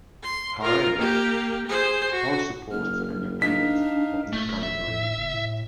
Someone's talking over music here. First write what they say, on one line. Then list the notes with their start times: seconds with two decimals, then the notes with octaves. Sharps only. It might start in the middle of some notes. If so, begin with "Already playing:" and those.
However, all support the independence of New Caledonia.
0.23 C6
0.62 F4 A#4
0.99 A#3 G4
1.67 G#4 C5
2.12 F#4
2.71 F#1 F6
3.42 D4 D#4 F5 B6
4.33 D#1 A3
4.63 E5
4.88 A2
5.17 F#1
5.34 A2